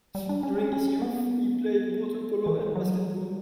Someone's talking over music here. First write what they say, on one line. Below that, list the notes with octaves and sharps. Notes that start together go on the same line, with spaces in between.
During his youth he played water polo and basketball.
G3
D4
C#4
C#4
C#4
B3
E3
F#3
G3